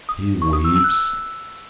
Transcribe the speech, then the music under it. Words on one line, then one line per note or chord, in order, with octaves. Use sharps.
He weeps.
D#6
C#6
D#6
E6
E6
F#6
E6